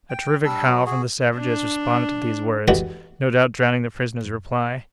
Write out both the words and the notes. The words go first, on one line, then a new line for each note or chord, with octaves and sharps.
A terrific howl from the savages responded to these words--no doubt drowning the prisoner's reply.
G5
G3 D4 E6
F#3 F#4
F#4 G#4
D4
D3 E3 G#3 F#4 G4